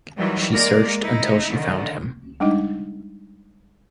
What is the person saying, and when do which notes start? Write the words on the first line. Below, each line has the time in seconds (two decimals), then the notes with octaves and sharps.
She searched until she found him.
0.18 D#3 E3 F#3 G3
0.51 G#3 A#3 A#4 D5
1.01 D#4 E4
1.47 D3 D#3
2.40 G3 G#3 D4 D#4 D#5